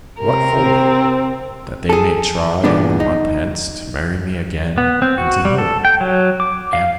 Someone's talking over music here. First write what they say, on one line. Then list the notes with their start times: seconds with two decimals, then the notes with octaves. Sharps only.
What for?--that they may try, a month hence, to marry me again; and to whom?--M.
0.19 C3 A#4
0.53 C4
1.89 G#4 A4
2.64 E2 G2 A#2 B3 D4
3.00 D#4
4.78 B3
5.02 C4
5.18 F#4
5.45 G3
5.58 A4
5.85 G5
6.01 F#3
6.40 D6
6.73 F5